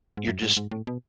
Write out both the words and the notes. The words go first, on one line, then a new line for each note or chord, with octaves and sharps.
you're just
G#2
F#2
G#2
G#2
A2
B2